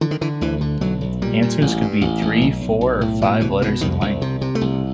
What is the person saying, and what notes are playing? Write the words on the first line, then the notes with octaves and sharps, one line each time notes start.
Answers could be three, four, or five letters in length.
D3 E3
D#3
D3 E3
D2 E3
D3
B1 F#3
B1
A#2 G3
A#2
A1
G2
A1
A1
B1
B1
B1
A2
B2 F3
C2 E3
B2 E3
C2 D#3
C2
C3
C3
A3
C2